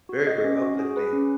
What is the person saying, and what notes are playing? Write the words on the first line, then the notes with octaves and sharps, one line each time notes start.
very, very uplifting,
F#4
D#5
C#4
F#4
G#4
B4
C#4